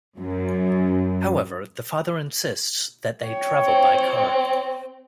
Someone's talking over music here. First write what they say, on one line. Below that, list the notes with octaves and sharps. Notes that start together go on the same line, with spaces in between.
However, the father insists that they travel by car.
F#2
C#5 G5
C4